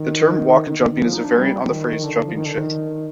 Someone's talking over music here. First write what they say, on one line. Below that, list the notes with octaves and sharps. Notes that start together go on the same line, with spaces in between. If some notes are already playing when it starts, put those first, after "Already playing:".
The term waka-jumping is a variant on the phrase "jumping ship".
Already playing: D#3
D#3
D#3
D#3
F3
D#4
D4
G3
F3
D#3
D3
D3
F3
D#3
D3
D#3